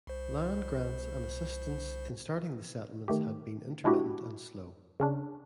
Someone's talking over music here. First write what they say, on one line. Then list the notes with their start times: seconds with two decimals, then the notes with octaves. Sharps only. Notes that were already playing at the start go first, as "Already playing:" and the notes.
Land grants and assistance in starting the settlements had been intermittent and slow.
0.07 C2 C5
3.08 D#3 A3 G4
3.84 G#3 D4 E4 F#4 G4
5.00 C#3 C#4 D4